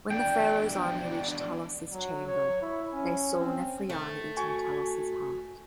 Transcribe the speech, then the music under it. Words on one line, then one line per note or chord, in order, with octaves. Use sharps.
When the Pharaoh's army reached Talos' chamber they saw Nefrianna eating Talos' heart.
E2 D4 G5
F#3
C#5
E4
C#4
C4
A3
F#4 G#5 C#6